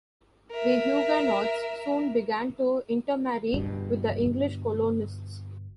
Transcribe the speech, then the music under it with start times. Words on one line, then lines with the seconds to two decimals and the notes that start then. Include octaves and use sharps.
The Huguenots soon began to intermarry with the English colonists.
0.51 A#4 E5
3.54 G1 G2 B2